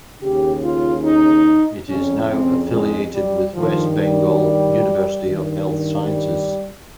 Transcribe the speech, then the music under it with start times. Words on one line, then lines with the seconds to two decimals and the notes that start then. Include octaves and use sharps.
It is now affiliated with West Bengal University of Health Sciences.
0.22 D#2 C#3 G4
0.64 F4
1.05 D#4
1.88 F2 C#3 C#4
2.29 C4
2.72 G#3
3.13 G3
3.54 G2 D#3 F3
3.96 G3
5.21 G2 D#3
6.03 G3